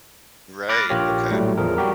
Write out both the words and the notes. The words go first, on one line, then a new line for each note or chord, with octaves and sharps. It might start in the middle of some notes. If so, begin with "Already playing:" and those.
Right. Okay.
B5 D6 F6 F#6 A6 A#6
A#1 A#3 F4 G4 C#5 F6
A2 F#3 G3 A3
E2 F3 G#4 A#4
G3 F#4 G4 A#4